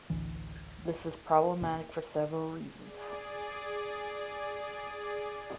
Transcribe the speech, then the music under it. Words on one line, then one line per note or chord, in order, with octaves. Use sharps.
This is problematic for several reasons.
A1 D2 E3
G#4 D5